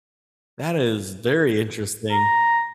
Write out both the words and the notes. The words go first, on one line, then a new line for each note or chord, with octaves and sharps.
That is very interesting.
A#5